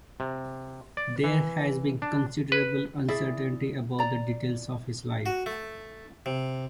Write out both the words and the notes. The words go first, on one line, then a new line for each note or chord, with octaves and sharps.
There has been considerable uncertainty about the details of his life.
C3
D5
E3
D4
B4
E4 G#4 D5 E5
D5 A#5
F#4
A3
C3